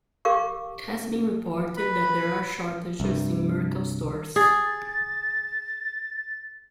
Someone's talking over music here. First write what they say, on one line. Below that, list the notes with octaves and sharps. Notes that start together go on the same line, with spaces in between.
It has been reported that there are shortages in Mercal stores.
G4 A#4 F5 C#6 D6
B4 B5
C2 G2
G#4 A6